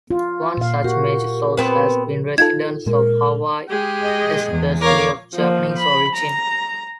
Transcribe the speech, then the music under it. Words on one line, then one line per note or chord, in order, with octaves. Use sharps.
One such major source has been residents of Hawaii, especially of Japanese origin.
F4
A#2 F5
F#4 G4 A#4
B3 C4 B4
D#4 F4 A4 G#6
A#2 G#3 A#4
G#3 G4 G#4
D#5
E2
A#4 C#5 F5 D6
F3 A#3
B5
A#5